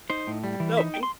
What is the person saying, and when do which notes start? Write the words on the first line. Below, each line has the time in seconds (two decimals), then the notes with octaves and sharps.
No, ping
0.10 D#4 C5
0.27 A2
0.44 G3
0.60 E3
0.77 D#4 E5
0.94 G5
1.03 C6